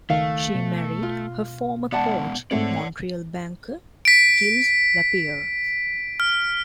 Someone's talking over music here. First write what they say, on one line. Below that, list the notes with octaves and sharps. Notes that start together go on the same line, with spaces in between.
She married her former coach, Montreal banker Gilles Lapierre.
C#2 D#3 A3 F5
B2
F4
G#3 B3 D5 F#5 A5
G#2 A3 C4 A4 C#5 D5 F#5
B6 D7
F6